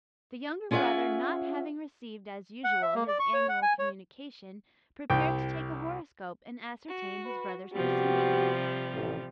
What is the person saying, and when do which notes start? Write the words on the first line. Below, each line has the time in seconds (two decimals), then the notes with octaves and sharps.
The younger brother not having received as usual his annual communication, prepared to take a horoscope and ascertain his brother's proceedings.
0.71 C#4 F4 G#4 C5 E5 F#5
2.64 F#5
2.82 E5
2.95 A#3
3.08 D5
3.20 C#6
3.33 C#5
3.49 F#5
3.62 G#5
3.79 C#5
5.10 C2 G5
6.88 F#4
7.25 B4
7.73 C3 F3 G3 B3 F#4 G4
8.92 A1